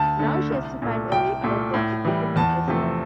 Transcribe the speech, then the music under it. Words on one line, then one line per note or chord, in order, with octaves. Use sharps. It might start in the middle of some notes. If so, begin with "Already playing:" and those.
Now she has to find a way out of that predicament as well.
Already playing: D2 A5
D3 A3
C2
A#2 A3
C2 G5
A#2 A3
A2
E3 G3
E2 A5
C3 F3 A3